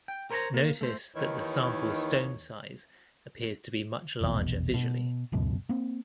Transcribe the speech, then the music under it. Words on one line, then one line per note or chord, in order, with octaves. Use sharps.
Notice that the sample’s stone size appears to be much larger visually.
G5
A#4 C5 C#5 A5 A#5
A#3
A3 C5
D#2 D#3 E3 D#4 C#5
F1 A#1 E2 B2
B2
D1 C#2 F#2 B2
A#3 C4